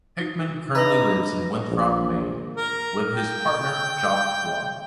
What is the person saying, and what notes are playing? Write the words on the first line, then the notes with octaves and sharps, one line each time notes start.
Hickman currently lives in Winthrop, Maine, with his partner, Jop Blom.
D#4
D4 B4 D#5 A#5
A#1
A#4
G5